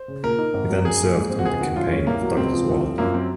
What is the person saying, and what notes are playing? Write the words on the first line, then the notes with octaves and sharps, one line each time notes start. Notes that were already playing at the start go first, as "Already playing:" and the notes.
He then served on the campaign of Douglas Wilder.
Already playing: C5
C#3
A#2 A#4
D#4
G#1
F#3
F#2 G#4
A#3
G#2
C4
F#4
C#2 G#4
D#3 F#4
F#2 F4
G#3 C#4
C2 A#3
F#3
C#2 C4
F3
C2
F3
F#2 A#3
F#3 C4